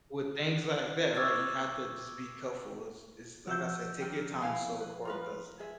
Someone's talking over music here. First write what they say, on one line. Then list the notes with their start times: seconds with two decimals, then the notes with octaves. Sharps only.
with things like that, right, you have to just be careful. It's it's like I said, taking your time is so important 'cause
1.15 C#6 D6 E6 F6 G#6 A6
3.47 F3 F#4 E6 G6
4.00 G4 A#4 D5
4.41 E4 F5 G#5
4.80 B4
5.05 F4 A#4 B4
5.59 G#4 E5